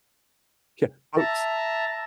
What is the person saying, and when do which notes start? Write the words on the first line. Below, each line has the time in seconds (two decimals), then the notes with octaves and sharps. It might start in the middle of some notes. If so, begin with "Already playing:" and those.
Yeah, boats
1.17 E5 A5 A#5